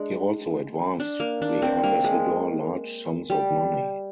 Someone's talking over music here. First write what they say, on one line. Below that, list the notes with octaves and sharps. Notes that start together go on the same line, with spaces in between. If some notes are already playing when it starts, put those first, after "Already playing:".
He also advanced the ambassador large sums of money.
Already playing: G#3 D4
D4
A#3
D4
C4
A#3
G#3
G3